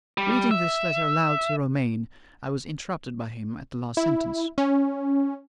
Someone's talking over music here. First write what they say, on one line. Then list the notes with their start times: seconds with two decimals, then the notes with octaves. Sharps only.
Reading this letter aloud to Romayne, I was interrupted by him at the last sentence.
0.18 G3
0.51 E5
3.97 E4
4.58 C#4